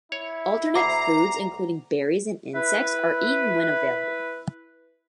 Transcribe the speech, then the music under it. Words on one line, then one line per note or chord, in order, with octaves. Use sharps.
Alternate foods, including berries and insects, are eaten when available.
E4 C#5
D2 A#5 D6 C7
E4 B4